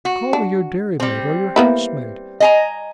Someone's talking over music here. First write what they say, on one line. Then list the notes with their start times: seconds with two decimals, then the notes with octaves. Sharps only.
Call me your dairymaid or your housemaid.
0.05 F#4
0.33 D4
1.00 G3 C4
1.56 A#3 B3 E4
2.40 D#5 G#5 A#5